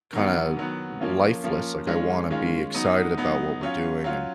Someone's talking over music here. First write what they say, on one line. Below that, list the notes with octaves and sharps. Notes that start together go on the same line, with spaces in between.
kinda l lifeless, like, I wanna be excited about what we're doing, and
D#3 F#3 B3
D#3 F#3 B3
F3 A#3 C#4 F4
F3 A#3 C#4 F4
D#3 G#3 C#4 F4
D#3 G#3 C#4 F4
F#3 B3 D#4
F#3 B3 D#4
F#3 C#4 F4
F#3 C#4 F4